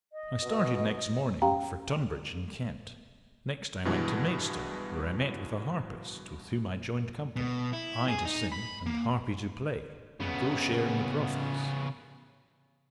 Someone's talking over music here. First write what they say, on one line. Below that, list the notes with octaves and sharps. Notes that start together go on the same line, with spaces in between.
I started next morning for Tunbridge, in Kent; next I went to Maidstone, where I met with a harpist with whom I joined company, I to sing, and harpy to play, and go share in the profits.
D#5
B2
C#4 G4 F5 G5 A#5
G2 B2 E3 G#3
B2
E4
G#4
D#4
B5
A#3
C#3 B3